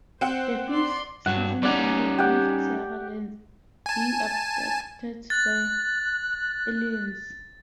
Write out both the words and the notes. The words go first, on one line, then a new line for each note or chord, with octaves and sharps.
The fifth season ended with Sara Lance being abducted by aliens.
C4 C5 F#5
D5 C6
G2 F#3 F#5
G3 C#4 D#4 D5 F#5
G4 F#5
G#5 A5
F#6 A6